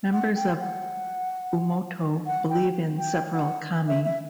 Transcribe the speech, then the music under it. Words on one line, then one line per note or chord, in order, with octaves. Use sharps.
Members of Oomoto believe in several kami.
F#5
G5
F#5
F#5
G5
G5
F#5
E5
E5